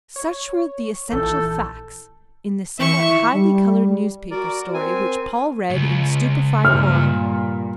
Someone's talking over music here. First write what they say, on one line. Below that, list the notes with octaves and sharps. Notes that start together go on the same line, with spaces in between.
Such were the essential facts in the somewhat highly coloured newspaper story which Paul read in stupefied horror.
C#5
A#1 E3 A4 G6
E3 E5 C#6
G3
F#4 A#4 D5
C4 A#4 G#5
C#2 G#2
G2 A#2 F6